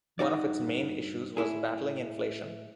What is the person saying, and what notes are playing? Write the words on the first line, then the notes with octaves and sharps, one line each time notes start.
One of its main issues was battling inflation.
G2 D#4 F#4 D5
A2 E4 G#4